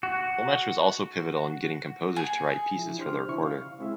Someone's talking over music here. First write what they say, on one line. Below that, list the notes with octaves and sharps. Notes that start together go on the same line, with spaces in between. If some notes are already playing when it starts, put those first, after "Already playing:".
Dolmetsch was also pivotal in getting composers to write pieces for the recorder.
F#4
G#4
F3 E4
D4 G4 C5 C6 F6
C#3 E4 C#6
F5
G#3 C4 E4 G#4 E5